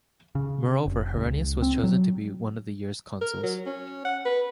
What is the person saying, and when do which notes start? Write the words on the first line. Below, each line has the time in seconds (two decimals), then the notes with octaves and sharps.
Moreover, Herennius was chosen to be one of the year's consuls.
0.35 C#3
0.86 F1
1.15 C#2
1.62 C4
1.84 F#3
3.21 A#4
3.44 F#3
3.66 C#4
4.05 F#5
4.25 B4